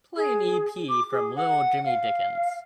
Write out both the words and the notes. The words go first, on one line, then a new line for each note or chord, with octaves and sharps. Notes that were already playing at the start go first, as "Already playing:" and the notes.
Play an ep from Little Jimmy Dickens.
G#4
D6
G#4
F#5
F5